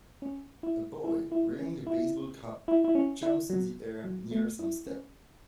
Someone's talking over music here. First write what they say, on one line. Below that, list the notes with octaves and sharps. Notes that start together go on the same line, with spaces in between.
A boy, wearing a baseball cap, jumps in the air near some steps.
C#4
E4
E4
E4
C#4
E4
E4
E4
C#4
E4
F#3
F#3
A3
E4
C#4